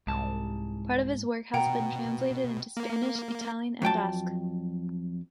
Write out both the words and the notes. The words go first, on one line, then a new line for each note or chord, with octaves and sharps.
Part of his work has been translated into Spanish, Italian and Basque.
C2 G#2 A5
B2 F#5 G5 A#5
A#3
F2 F#3 G5 A5